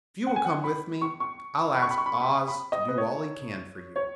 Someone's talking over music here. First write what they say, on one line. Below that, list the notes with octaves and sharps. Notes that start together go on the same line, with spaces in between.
"If you will come with me I'll ask Oz to do all he can for you."
F#5
G#5
F#5
B5
C#6
C#6
B5
C#6
B5
C#6
B5
C#6
B5
B5
D#5
B4
C#5
C#5